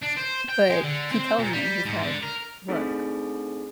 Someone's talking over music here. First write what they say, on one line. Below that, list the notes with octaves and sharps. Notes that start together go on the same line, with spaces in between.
but he tells me he's, like, "Look,
D4
C5
G5
G#3
D3
C4
A#2
G3
G#2
D3
A#4
A3 C4 D4 D#4 G#4 A4